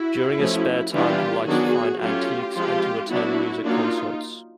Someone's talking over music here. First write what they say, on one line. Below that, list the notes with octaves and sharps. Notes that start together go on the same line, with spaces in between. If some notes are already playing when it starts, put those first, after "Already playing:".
During his spare time he likes to find antiques and to attend music concerts.
Already playing: E4 F#4
F3 A3 C#4
E3 G3 B3 D4 F4 G4
D#3 F#3 B3 D4 F#4 G#4
F#3 A3 C#4 F4 G4
F3 G#3 C4 F4 G4
F#3 B3 D4 E4 F#4
F#3 A#3 D4 D#4 F4